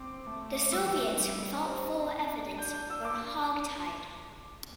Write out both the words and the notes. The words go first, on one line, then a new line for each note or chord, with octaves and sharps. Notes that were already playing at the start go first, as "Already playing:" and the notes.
The Soviets, without full evidence, were "hog-tied".
Already playing: C4 D6
A3
G3 E6
E3
A3
C4
G3
C4
D4
G6
G6
E6
D6